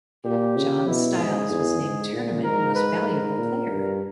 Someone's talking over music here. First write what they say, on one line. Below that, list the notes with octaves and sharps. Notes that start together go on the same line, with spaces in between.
John Styles was named Tournament Most Valuable Player.
A#2 G4
C#3
B2 E4
G#2 G#4
E2
G#2
A#2
G#2 A#4
B4
A#4
A#2
G2